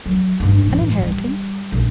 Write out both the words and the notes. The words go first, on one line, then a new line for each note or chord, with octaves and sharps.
"An inheritance?"
F#3
G2 D4
A2 E3
G3
A#1